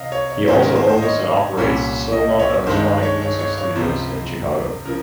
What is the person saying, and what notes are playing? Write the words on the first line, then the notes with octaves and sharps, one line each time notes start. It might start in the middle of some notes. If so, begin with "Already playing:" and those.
He also owns and operates Soma Electronic Music Studios in Chicago.
Already playing: C3 D#5 F5
C#5
C#5
G#2 D#3 G#3 C#4 C5
A#4
C5
C5
D#5
C#5
C2 A#2 G3 C#4
D#5
C#5
G2 D#3 G#3 C5
C#5
C#5
C#5
C#5
C#2 C3 F3 C5
C#3 F3 A#4